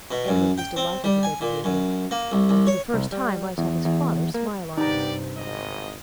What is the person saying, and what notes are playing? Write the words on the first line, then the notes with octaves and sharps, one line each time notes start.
Edward was delighted with their behavior, and for the first time I saw his father smile on him.
B2
F#2
G5
C4
G3
G#5
A#2
F#2
A#3
C2
C2
C#5
C2
G3
E2
E2
A#3
G2 C3 B3 D#4 G4 D5 A#5
G#1 D#5